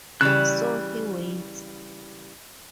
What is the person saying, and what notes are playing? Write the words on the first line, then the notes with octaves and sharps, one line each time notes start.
So he waits.
C#3 E3 G3 F#6